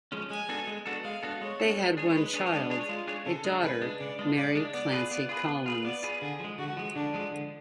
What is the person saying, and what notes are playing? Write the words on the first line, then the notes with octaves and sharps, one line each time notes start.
They had one child: a daughter, Mary Clancy Collins.
F3 G#3 C#4
G#3 G#5
B3 D4 F#4 A4
G#3
B3 D4 F#4 A4
G#3 F5
B3 D4 F#4 A4
G#3 C#5
B3 D4 F#4 A4
G#3
D4 G#4 C#5
G#3 B4
D4 G#4 C#5
G#3 D4
D4 G#4 C#5
G#3 F4
D4 G#4 C#5
C#3 A4
G#3 D4
C#3 B4
G#3 D4
C#3 D5
G#3 D4
C#3 D5
G#3 D4
B3 D5
F4 G#4 B4
B3 D5
F4 G#4 B4
B3
F4 G#4 B4
B3 D5
F4 G#4 B4
D3 G#4
F3 G#3
D3 F#4
F3 G#3
D3 D4
F3 G#3
D3